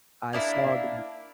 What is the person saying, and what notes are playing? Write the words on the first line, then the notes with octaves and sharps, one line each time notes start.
I saw that,
A#3 D4 E4